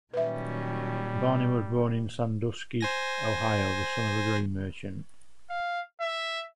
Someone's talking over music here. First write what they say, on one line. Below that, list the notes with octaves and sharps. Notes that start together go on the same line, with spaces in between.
Barney was born in Sandusky, Ohio, the son of a grain merchant.
A#2 D#3 F#3 G3 C#4 B4 E5
C5 G#5 A#6
F5
E5